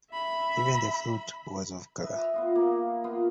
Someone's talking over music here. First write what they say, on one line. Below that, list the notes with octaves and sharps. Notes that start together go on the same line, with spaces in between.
Even the flute was off-color.
E5 B5
B4 D#5 E5
B3 F4 D#5
A#3
B3 F4